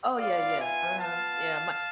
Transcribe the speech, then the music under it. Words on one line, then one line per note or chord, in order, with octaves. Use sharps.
Oh yeah, yeah, uh-huh. Yeah, my
B3 F4 D5 F5
E5 G#5
F5 A5